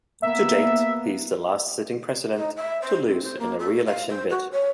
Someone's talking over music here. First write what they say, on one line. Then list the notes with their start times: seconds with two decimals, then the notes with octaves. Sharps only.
To date, he is the last sitting president to lose in a re-election bid.
0.22 A#3 B3 E5
2.37 D#4
2.57 E5
2.82 C5
3.08 C4
3.23 C5
3.39 A#3
3.59 A4
3.86 F5
4.10 C5
4.30 F#4
4.52 C#5